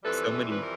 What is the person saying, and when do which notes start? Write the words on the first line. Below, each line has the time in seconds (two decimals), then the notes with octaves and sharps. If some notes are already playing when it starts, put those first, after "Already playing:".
so many
0.03 F2 C3 E3 G3 A4 B4
0.51 B4
0.61 A#4